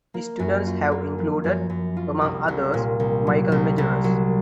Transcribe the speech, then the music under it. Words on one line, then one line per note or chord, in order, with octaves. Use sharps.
His students have included, among others, Michel Majerus.
A#3
F#2
F4
A#3
F3
F#2
F#2
F4
C2
C2
A#2
C2
F#3
C2
C2
F#3